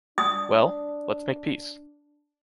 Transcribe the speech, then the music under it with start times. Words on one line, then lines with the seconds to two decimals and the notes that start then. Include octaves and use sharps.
Well! let’s make peace.
0.18 D4 D#6